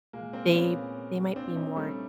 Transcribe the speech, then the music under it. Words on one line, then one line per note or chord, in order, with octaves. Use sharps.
m they they might be more
A#2 G#3 A#3
A#3 C4
B3 C#4
A#2
A#2 C4 D4
D4
C#4 D#4
G3 A3